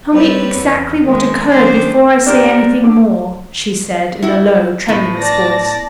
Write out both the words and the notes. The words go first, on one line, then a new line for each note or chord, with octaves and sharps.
"Tell me exactly what occurred before I say anything more," she said in a low, tremulous voice.
G3 C4 B4 C#5
E2
D#3 G#3
D#3 A3 C#4 D4 C5 G5
D4 G4 A#4 C5
D3 D6
E4 F#4
A2 B3
D5 A5 A#6